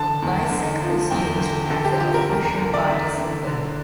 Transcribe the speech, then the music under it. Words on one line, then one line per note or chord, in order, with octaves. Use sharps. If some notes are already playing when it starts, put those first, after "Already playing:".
A bicycle is used as the official party symbol.
Already playing: D3 A5
E2
D3
F3
E2 G5
D3
D3 A4
G4
F3 G4
A#4
E2
A#4
D3
D5
E2 E5
D3
D3